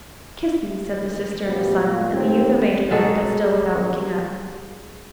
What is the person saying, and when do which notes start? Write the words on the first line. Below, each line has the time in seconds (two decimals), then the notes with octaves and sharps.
'Kiss me,' said the Sister of the Sun; and the youth obeyed her, but still without looking up.
1.46 A1 D2 A#2 F3 B3 G4
1.81 A#2 G#3 F4
2.12 D#2 C4
2.91 F#3 G#3 A4